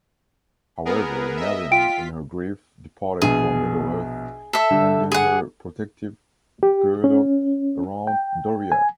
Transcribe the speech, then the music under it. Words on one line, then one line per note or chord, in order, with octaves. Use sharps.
However, Melian, in her grief, departed from Middle-earth, ending her protective girdle around Doriath.
B3 G#4 A#4
D#5 E5
F4 G5 B6 D7
A#1 B2 G#4
A4 E5
D3 G3
G#4 F#5
G4
C#4
G5
G#5